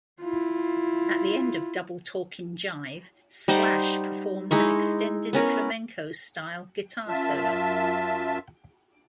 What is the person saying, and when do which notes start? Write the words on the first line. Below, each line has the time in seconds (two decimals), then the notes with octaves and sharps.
At the end of "Double Talkin' Jive" Slash performs an extended flamenco-style guitar solo.
0.21 E4 F4
3.48 G3 D#4 C5 F#5
4.51 G#3 D#4 E4 C#6
5.33 B3 C#4 A#4 B4
7.08 F#2 F4 E5 A5